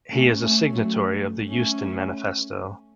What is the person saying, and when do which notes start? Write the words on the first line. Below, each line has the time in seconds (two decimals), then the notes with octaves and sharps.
He is a signatory of the Euston Manifesto.
0.11 A3 C#4
0.41 A3 C#4
0.72 F#3 A3
1.49 A3 C#4